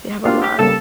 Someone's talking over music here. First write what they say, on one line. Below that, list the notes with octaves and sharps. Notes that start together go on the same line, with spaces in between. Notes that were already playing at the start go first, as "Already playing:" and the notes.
They have a lot.
A#3 D4 F4 G4
G4
C#3 G3 A#3 A4